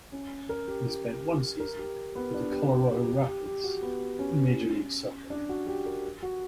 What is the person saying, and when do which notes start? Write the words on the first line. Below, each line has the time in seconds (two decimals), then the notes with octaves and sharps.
He spent one season with the Colorado Rapids in Major League Soccer.
0.12 C#4
0.49 A#4
0.68 G4
0.86 G4
1.60 A#4
1.79 G4
2.15 B3
2.34 D4
2.52 G4
2.72 G4
2.90 G4
3.08 G4
3.27 G4
3.46 G4
3.64 F#4
3.82 B3
4.19 C#4
5.30 D4
5.49 F#4
5.67 G4
5.86 A#4
6.23 F#4